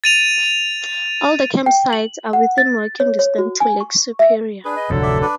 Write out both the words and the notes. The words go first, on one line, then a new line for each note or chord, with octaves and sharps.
All the campsites are within walking distance to Lake Superior.
A6 D#7 F7
G5
F#7
F#5
A6
C#5
C#5
F#4
G#5
C#6
E5
D4 G#4 B4
D#5
F1 D2 A2 D3 F#3 A4
D5 E5
D4 B4 D5